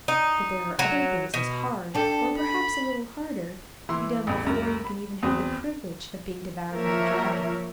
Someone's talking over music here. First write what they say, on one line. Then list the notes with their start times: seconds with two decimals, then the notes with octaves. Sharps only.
But there are other things as hard, or perhaps a little harder, to be done before you can even have the privilege of being devoured by the dragon.
0.08 D#4
0.79 F#3
1.34 B2
1.95 D4 G4 A4
2.37 B5
3.89 E3 E4 C6
4.27 A1 E2
4.45 C#2 F#2 A#4
4.84 B5
5.23 E2 C4 F#4 D#6
6.74 F3 A#3 A#4 C#5 E5